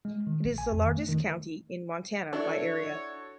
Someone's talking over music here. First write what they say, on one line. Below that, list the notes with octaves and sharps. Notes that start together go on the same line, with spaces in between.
It is the largest county in Montana by area.
G#3
D#3
A#1
G#5
F2
D#3
A3
D#3
D4 E4 F#4 A4 C#5